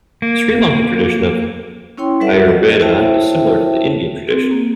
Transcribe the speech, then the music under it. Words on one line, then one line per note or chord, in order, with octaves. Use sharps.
The Sri Lankan tradition of Ayurveda is similar to the Indian tradition.
A#3
C#4 E4 C#5 G5 C6
G3 A4 B4 E5 F#5
A4 D#5
E4 C5 C#5 E5 G5 A5
C4 G#4
A#3